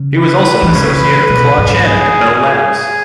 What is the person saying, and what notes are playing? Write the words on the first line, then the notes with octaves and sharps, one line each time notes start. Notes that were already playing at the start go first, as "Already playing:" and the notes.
He was also an associate of Claude Shannon at Bell Labs.
Already playing: C#3
B4
E3
C#3 B4
B2
G#2
G#4
G#4